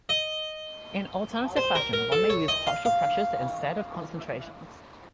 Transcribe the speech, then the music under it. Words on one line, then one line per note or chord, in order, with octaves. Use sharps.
In alternative fashion, one may use partial pressures instead of concentrations.
D#5
C5
A#4
A#4
A4
C#5
D#5
F5
F5